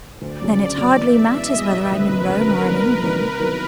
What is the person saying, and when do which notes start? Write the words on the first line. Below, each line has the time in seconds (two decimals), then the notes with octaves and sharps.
"Then it hardly matters whether I'm in Rome or in England."
0.22 D2 D5
0.41 C#3 F#3
0.60 D2
0.78 C#3 F#3
0.96 E2 E5
1.15 B2 G#3
1.34 E2 D#5
1.52 B2 G#3
1.72 E1 B4
1.91 D2 C#3 F#3
2.08 E1 A#4
2.28 D2 C#3 F#3
2.47 D2
2.65 C3 D#3 G3 A#3
2.84 D2
3.02 C3 D#3 G3 A#3
3.20 C3
3.40 D#3 F#3 B3 E4